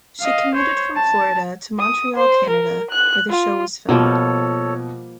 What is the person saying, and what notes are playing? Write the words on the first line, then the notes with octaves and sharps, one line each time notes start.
She commuted from Florida to Montreal, Canada, where the show was filmed.
D#5 F5
C5 C#5
A5
D#6
C5
A#4
F#6
F4
B2 F3 G3 A#3 A4 C#5